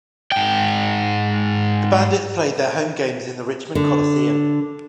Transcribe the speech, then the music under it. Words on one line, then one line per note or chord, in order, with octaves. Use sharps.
The Bandits played their home games in the Richmond Coliseum.
G#2 G5
D3